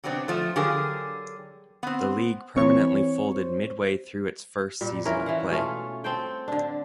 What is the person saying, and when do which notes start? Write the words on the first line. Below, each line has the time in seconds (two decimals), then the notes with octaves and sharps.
The league permanently folded midway through its first season of play.
0.04 C3 F#3 B3 C4 D4
0.28 F3 A3
0.56 D3 F#3 G4 G#4 A#4 F5
1.83 B3 C4
2.56 E3 C4 C#5 C#6
3.33 C5
4.81 A#2 G3
5.05 E3 C#4 F4 A#4
5.26 E3 F5 F#5
5.50 B2 A3 C#4 F4
6.04 C4 A4 C5 G5
6.48 D3 D4